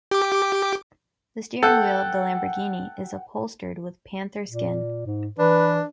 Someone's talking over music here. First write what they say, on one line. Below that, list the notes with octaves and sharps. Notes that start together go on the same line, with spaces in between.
The steering wheel of the Lamborghini is upholstered with panther skin.
G4 D6
A4 F#5 G5
A#2
G#2
E3 D4 B4